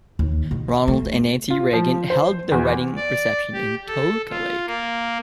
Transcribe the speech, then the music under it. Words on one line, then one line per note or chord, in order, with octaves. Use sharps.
Ronald and Nancy Reagan held their wedding reception in Toluca Lake.
D#2
B2
A3
F4
F3
C5
E2
D5
G4
A4
F4
A#3